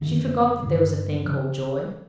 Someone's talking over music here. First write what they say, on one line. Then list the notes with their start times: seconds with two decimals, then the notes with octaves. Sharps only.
She forgot that there was a thing called joy.
0.01 F#2 D3 D#3
0.63 G2 D3 D#3
1.25 C#3 F3